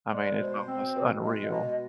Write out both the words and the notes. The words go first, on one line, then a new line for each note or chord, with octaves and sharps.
I mean, it's almost unreal.
G#3 D5
B2 C5
C4
B2
G#3 D#5
B2 D#5